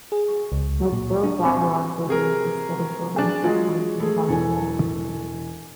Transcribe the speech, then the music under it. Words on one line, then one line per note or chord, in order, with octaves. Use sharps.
Let's build dialogue bridges instead of building checkpoints and dividing walls.
G#4
C#2
A#2
D4
C4
C3 G#4 A#4
D4 G#4
F#3 G#3 F4 G#4
A3 G#4
E1 E3 A4 G#5